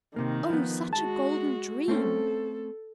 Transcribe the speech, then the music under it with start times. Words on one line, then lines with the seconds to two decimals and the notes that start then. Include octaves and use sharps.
Oh, such a golden dream!
0.16 C3 D#3 A#3
0.50 F3 B3
0.93 G#3 F#4 A5
1.88 A3 C4 C#4 A4